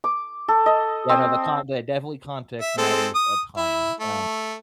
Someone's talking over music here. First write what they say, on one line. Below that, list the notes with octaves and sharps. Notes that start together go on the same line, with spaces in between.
Yeah, no, the con the definitely context matters a ton, um,
D6
A4
D#5
C4
E5
G#3 C4 A4
D#6
E4 E5
A3